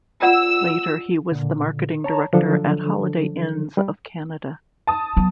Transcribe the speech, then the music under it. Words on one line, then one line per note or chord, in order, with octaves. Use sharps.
Later, he was the Marketing Director at Holiday Inns of Canada.
F4 D5 F#5 E6
A#2 D3
C#5 A5 A#5
D3 F3 F#3 D4 A4
G3
A5 D#6
F#3 B3